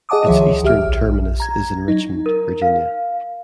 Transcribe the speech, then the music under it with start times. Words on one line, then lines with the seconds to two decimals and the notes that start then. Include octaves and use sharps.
Its eastern terminus is in Richmond, Virginia.
0.09 G#4 D#5 F#5 A5 D6 D#6
0.26 C#2 D#3 F3 G#4 C#5 E5
0.63 C#2 G4 E5 F6
0.87 A#1
1.40 A#5 G#6
1.88 F#3 D#4
2.26 A#4
2.62 F5